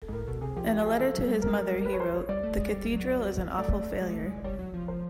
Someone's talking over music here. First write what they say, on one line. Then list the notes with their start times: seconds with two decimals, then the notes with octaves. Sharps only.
In a letter to his mother he wrote: The Cathedral is an awful failure.
0.02 A4
0.08 G#2
0.12 A2 A#4
0.27 B2 A4
0.41 C3 G#4
0.56 F3 G4
0.66 E3
0.71 G4
0.77 F3
0.85 G#4
0.99 E3 A4
1.13 F#3
1.28 G3
1.42 A#4
1.80 A#4
1.85 B4
1.93 C#5
2.00 C5
2.14 C#5
2.29 G3 D5
2.43 A3
2.57 G#3
2.72 G3
2.94 F#3
3.58 A3 D5
4.01 G#3
4.14 A3
4.25 G#3
4.44 G3 C#5
4.59 F#3
4.74 F3
4.88 C5